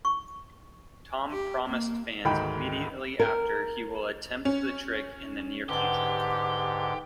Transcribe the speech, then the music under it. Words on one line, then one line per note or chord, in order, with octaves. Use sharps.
Tom promised fans immediately after he will attempt the trick in the near future.
C#6
G4
A#3
D2 G#2 D#3 G5 B5
A#4
C#4
G#2 D3 G4 B4 F#5